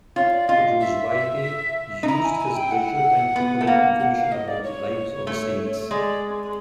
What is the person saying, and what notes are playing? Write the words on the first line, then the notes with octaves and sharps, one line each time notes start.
Rosweyde used his leisure time to collect information about the lives of the saints.
F4 C#5
D5
F4 D#5
E5
D#4
E4 A#5
G#5
G#5
G5
F#5
B3
A3
A#3
F#5
F5
D#5
D5
C#5
A3
G#3 D5